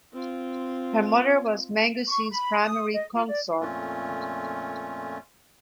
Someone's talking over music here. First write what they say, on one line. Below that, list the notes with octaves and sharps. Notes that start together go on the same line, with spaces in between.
Her mother was Manggusi's primary consort.
C4 F4
C#6
B5
D#6
D#5
F4
D5
F2 A#2 A3 C#4 F4